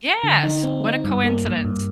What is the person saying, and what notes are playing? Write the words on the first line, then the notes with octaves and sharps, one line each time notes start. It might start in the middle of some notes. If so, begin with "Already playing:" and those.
Yes, what a coincidence.
D3
D#4
C4
D#4
G2
A#3
G2
G2